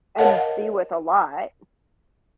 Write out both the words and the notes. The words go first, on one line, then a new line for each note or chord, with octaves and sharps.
and be with a lot.
A#4 C#5 D#5 F5 F#5 A5